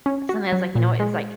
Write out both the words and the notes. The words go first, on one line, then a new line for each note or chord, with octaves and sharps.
sometimes, like, you know, it's, like,
C#4
F#4
F#3
A#2
G#3